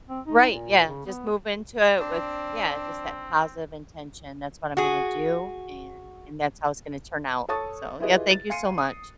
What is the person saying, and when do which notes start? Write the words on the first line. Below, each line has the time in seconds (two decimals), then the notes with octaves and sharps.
Right, yeah, just move into it with yeah, just that positive intention. That's what I'm gonna do, and and that's how it's gonna turn out, so yeah, thank you so much.
0.09 C4
0.26 D#4
0.50 A#2
0.88 C#3
1.06 B3
2.00 C4 D4
4.77 F#4 G#4
7.49 A4 C#5 A5 C#6 D#6 A6
8.00 E4 F4 G4 G#4 B4 D#5
8.31 A6
8.50 F5 G#5 C6 C7 C#7 D#7
8.78 D#6